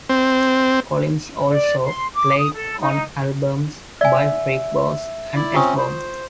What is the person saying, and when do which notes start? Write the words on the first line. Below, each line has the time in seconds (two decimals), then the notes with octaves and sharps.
Collins also played on albums by Freekbass and H-Bomb.
0.09 C4
1.49 D5
1.85 C6
2.14 D6
2.38 D#6
2.54 A4
2.81 D#4
4.01 D5 E5 G#5
5.35 E4 D5
5.54 C4 C#4 F4 C#6 D#6
5.78 C5